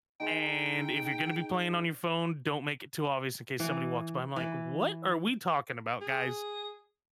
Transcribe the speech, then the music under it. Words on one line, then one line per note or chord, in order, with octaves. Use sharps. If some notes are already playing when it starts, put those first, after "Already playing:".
And if you're gonna be playing on your phone, don't make it too obvious in case somebody walks by." I'm like, "What are we talking about, guys?
D#4 G#4 C5 G5
E3
E3
G#4